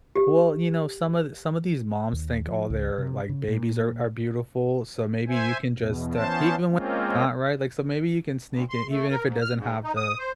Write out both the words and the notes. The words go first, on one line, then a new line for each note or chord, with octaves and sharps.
Ju well, you know, some of some of these moms think all their, like, babies are are beautiful, so maybe you can just, uh, even when not right, like, so maybe you can sneak it, even if it doesn't have the
G4
D#2
F3
C#2
C3
C#3
A#2
C5 E5 G#5
E2 B2
E3 B3 C#4 C5 A5
G#3 A#3 C4 C#4 F4
D2
C6
A3
A#4
G#2
F6
G#2
D#4
D#6
C5